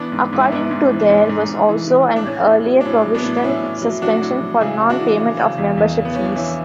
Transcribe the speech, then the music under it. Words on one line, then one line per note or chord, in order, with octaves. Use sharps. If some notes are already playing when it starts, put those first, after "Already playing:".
According to there was also an earlier provisional suspension for non-payment of membership fees.
Already playing: E3 B3 D4
G#2
G#2
E4
G#2 B3 D4
G#2
E3
D4
G#2 C#4
G#2
G#2
E3
E3
E3
D4
A2 C#4
A2
F#3
D4
A2 C#4
F#3
B3 D4
A2
D4
A2 C#4 E4
A2
F#3
F#3 D4 F#4
A2
F#3
C#3 E4 G#4
C#3
D4 F#4
E3
C#3
C#3
E2
E2
C#3
B3
E3 C#4
D4
E3 C#4 E4